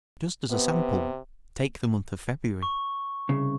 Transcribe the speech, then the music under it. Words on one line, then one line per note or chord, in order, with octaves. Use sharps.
Just as a sample, take the month of February.
C3 B3
C#6
C2 C#3